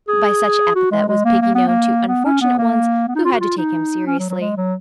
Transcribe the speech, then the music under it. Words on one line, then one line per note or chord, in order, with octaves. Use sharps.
By such epithet was Piggy known to unfortunate ones who had to take him seriously.
G#4
F#4
G#3
G#3
A#3
A#3
B3
A#3
B3
C#4
B3
A#3
B3
D#4
F4
F#4
F4
D#4
C#4
F#3
F#3
G#3
F#3